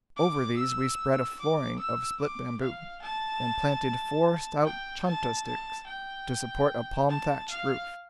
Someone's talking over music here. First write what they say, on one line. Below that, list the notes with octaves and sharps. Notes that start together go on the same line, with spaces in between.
Over these we spread a flooring of split bamboo, and planted four stout chonta sticks to support a palm-thatched roof.
D6
E6
D6
E6
D6
F5
A5
G5
A5
A5
G5
A5
F5